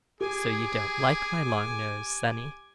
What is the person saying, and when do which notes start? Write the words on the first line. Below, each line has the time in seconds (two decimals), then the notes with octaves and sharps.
'So you don't like my long nose, sonny?
0.21 G4 G#4 G#5 D6